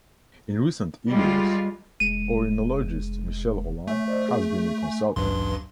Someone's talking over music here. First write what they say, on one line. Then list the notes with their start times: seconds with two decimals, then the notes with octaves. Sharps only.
In recent years, oenologist Michel Rolland has been a consultant.
1.08 G3 G#3 F4
2.00 F1 G#3 D#7
3.87 A3 C#5 E5 G#5
4.08 C5 D5 D#5
4.29 G#4
4.83 G#5
5.16 A1 D2 G2 F#3 B4 C6